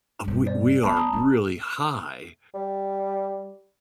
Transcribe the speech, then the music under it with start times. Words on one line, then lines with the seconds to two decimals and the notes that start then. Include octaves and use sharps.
we we are really high,"
0.24 G2 B2
0.46 C5 D5
0.83 B3 A5 B5
0.97 A5 A#5 D#6
1.13 C#4 D#4
2.54 G3